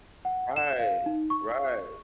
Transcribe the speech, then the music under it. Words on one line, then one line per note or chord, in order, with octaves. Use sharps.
Right, right.
F#5
E7
F5
D#4
C#6